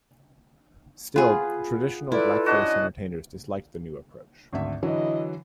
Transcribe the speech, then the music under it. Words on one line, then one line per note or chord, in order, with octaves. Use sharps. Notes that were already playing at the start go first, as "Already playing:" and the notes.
Still, traditional blackface entertainers disliked the new approach.
B3 F4 G#4
E4 F4 A4 B4 D5
C#4 D4 F#4 D#5
G#1 D2 E5
D3 E3 F#3 E4 D#5